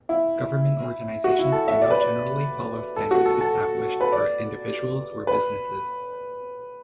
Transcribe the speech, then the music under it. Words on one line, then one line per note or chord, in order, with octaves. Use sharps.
Government organizations do not generally follow standards established for individuals or businesses.
E4
F#4
E4
A4
E5
D5
B4
D5
A4
F#4
A4
A4
B4
D5
B4